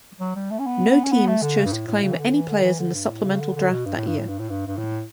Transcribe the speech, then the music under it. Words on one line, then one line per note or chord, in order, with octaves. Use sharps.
No teams chose to claim any players in the supplemental draft that year.
F#3
G3
A3
C#4
B3
C#4
B3
A3
D3
C#3
G2
A2
A2
C#3
E3
D3
E3
D3
E3
D3
G2
A2
C#3
D3
D3
B2
G2
A2
G2
A2
G2
A2
G2
G2
A2